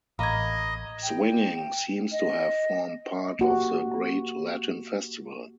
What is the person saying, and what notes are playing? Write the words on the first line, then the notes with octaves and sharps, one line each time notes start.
Swinging seems to have formed part of the great Latin festival.
A1 A#3 D#5 B5 G#6
G5
D#5
A#3 F#4 G4